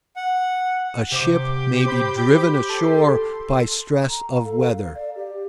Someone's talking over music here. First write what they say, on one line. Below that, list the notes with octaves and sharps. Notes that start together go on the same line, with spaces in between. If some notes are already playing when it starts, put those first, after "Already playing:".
A ship may be "driven ashore" by stress of weather.
F#5
C3 G4 C5 D6
C5 B5 G6
A4 C6
A#5
F5
A4
F5
F5
D5
G4